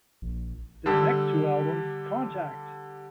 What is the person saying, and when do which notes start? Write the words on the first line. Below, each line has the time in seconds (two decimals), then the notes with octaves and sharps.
Their next two albums, Contact!
0.22 A#1
0.86 D3 G3 G4 E6